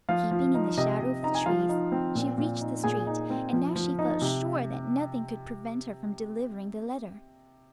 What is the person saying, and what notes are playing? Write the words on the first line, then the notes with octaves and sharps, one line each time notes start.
Keeping in the shadow of the trees she reached the street, and now she felt sure that nothing could prevent her from delivering the letter.
F3 F4 F5
F3
D#4
C3 D#5
C3
D#4 A#5
G#5
F3 F4 F5
D#4
C4
A#2
A#2
D#4
A#2 G#4 G#5
D#4
C4
F3
F3
D#4
C3